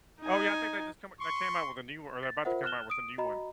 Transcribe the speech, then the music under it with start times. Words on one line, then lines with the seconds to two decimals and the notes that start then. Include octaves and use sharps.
Oh, yeah, I think they just come i they came out with a new o or they're about to come out with a new one.
0.21 D#4 G#5
1.20 C6 C#6
2.23 A6
2.45 F4 A#4 C5 E5 F#5
2.64 F6 F#6 E7 G7
2.90 D#6 D7
3.18 F#4 D#5 A#5 B5